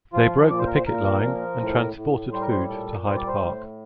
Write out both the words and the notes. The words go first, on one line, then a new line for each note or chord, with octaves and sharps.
They broke the picket line and transported food to Hyde Park.
F3 F4
A#2 D5
C5
A#4
C5
A#2 A#4
F3
A2
A2
G3 C5
A#4
C5
A#2 A4
G3 C5
D5
C5
A2